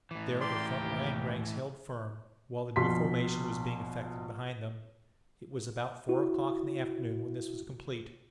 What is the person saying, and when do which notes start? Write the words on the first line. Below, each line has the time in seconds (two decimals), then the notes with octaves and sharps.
There their front-line ranks held firm, while the new formation was being effected behind them. It was about four o'clock in the afternoon when this was complete.
0.11 A2 E3
0.41 B3 G4 A#4 D5 C6
0.77 D#2
2.76 A#1 B2 C6 B6
6.09 E4 F#4